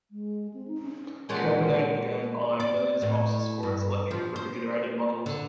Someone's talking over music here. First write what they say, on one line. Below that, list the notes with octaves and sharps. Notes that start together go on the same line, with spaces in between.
Kelvinator began buying Leonard's boxes for its electric refrigerated models.
G#3
C4
D#4
C#4
A#2 G#3 C#5 F#5 G5 A5
D5
A2
G2
F3
C5
D3